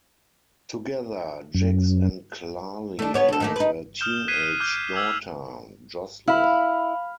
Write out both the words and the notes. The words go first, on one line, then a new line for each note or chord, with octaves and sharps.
Together, Jax and Carly have a teenage daughter, Josslyn.
F#2
A3 D4
B3 C#5
D2 A4
D#3 A3 A#3
D#4 B4
D#6 F6 G6 E7 G7
F#6 G#6 B6 C7 D#7
D6 F6 G6
D6 E6 G#6 F7
E4 F5 B5